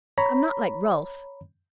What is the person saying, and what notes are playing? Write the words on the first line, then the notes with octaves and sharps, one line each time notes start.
I'm not like Ralph.
C#5 A#5 B5